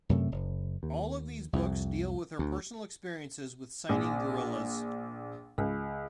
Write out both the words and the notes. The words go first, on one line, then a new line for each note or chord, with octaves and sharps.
All of these books deal with her personal experiences with signing gorillas.
F#2 C3 A3
F#1
D#2
C2 F2
D2
A#1
C#2